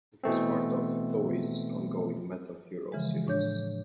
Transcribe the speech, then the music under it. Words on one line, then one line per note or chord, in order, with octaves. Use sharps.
It was part of Toei's ongoing Metal Hero Series.
B2 E3 A3 C4
C#3 E3 F3 G#3
A2 D4 C#5 G6